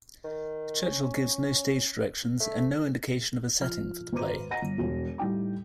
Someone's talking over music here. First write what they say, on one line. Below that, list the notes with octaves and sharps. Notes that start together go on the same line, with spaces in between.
Churchill gives no stage directions and no indication of a setting for the play.
D#3
C#4
A3
F3 F6
G#1 B4 C5 A#5 D6 D#7
D#5 F#5 G#5 A#5 A#6 D#7
G1
E1
A2 G3 D#4 G5 D6